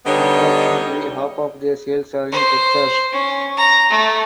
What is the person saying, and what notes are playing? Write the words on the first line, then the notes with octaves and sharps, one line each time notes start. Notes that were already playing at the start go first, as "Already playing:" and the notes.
Approximately half of their sales are in Texas.
D3 G3 B3 D#4 C#5 D#5
C5
C#4
A#5
A3